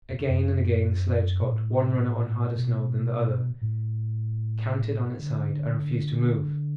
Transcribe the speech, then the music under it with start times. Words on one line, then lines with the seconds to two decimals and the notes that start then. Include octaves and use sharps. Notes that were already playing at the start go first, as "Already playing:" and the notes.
Again and again the sledge got one runner on harder snow than the other, canted on its side, and refused to move.
0.11 E2
0.28 F#2
1.41 B2
1.51 A2
2.56 B2
3.62 A2
5.19 D3